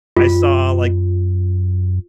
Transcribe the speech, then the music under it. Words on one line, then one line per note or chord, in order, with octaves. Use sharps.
I saw like
F#2 F4